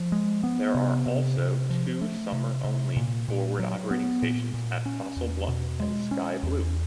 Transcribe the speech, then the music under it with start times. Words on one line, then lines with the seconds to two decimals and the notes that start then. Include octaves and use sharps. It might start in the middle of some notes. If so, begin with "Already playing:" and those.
There are also two summer-only forward operating stations at Fossil Bluff and Sky Blu.
Already playing: F3
0.12 G#3
0.44 B3
0.75 C3
1.06 C3
1.38 C3
1.70 F3
2.02 A3
2.32 C3
2.64 C3
2.96 A#2
3.28 A#2
3.59 F#3
3.91 B3
4.22 A#2
4.54 A#2
4.86 C#4
5.17 E2
5.48 B2
5.80 G#3
6.11 C#4
6.43 E2